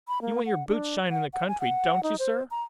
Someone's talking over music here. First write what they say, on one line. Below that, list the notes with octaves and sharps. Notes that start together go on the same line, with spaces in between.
"You want your boots shined in the country--don't you, sir?"
B5
A#3
F#5
D4
F#5
F#5
G#5
F#5
D#4
C5
A#5